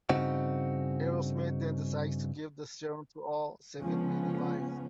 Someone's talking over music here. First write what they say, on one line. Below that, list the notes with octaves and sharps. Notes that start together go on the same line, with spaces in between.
Arrowsmith then decides to give the serum to all, saving many lives.
G2 C#3 C4 D#4 F#4
C#2 F3 B3 C#4